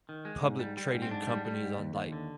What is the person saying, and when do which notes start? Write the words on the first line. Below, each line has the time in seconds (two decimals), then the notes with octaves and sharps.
public trading companies on, like,
0.09 D#3
0.25 G#3
0.42 G#2
0.59 G3
0.77 G3
0.93 G#2
1.02 C4
1.11 G#2 D4
1.27 G3
1.45 G3
1.61 G#2
1.78 D#2
1.95 D#2
2.12 D3